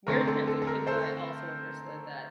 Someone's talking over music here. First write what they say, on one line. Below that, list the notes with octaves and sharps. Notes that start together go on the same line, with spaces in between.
weird transition, but I also understood that
D3 A3 C4 A#4
A4
A4
A4
A#4
A4 C5